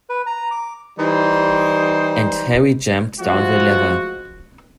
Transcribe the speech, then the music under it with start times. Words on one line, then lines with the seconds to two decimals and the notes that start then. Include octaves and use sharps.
And Harry jammed down the lever.
0.09 B4
0.26 A#5
0.51 D6
0.99 E3 G3 D#4 C5
3.20 F3 G#3 A3 F4 F#4